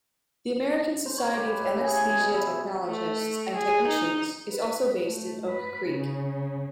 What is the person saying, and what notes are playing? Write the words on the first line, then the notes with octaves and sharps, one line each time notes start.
The American Society of Anesthesia Technologists and Technicians is also based in Oak Creek.
C5
C#5
G4
B4
A2
C#3
G#4
G#5
B2
E4
E5
A3
G#4
D#4
B4
A3
B4
C#3